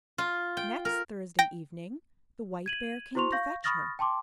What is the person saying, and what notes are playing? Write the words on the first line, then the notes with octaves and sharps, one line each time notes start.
Next Thursday evening the White Bear came to fetch her.
F4
G5
A#4
G5 A#6
G#6 D#7 F#7
E4 F#4 C5 C6 C#6 F7
F5 C#6 G6 A#6
B5 C#6 D#6 F6 A6 A#6
G5 A5 C6 D6